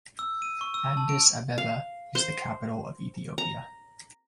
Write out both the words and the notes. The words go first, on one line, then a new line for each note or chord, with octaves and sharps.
Addis Abeba is the capital of Ethiopia.
E6
D#7
C#6
E6
A5
D7
F5
C5
A#5